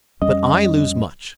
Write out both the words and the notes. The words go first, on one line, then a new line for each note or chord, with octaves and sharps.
But I lose much.
F2 G3 C#4 D#5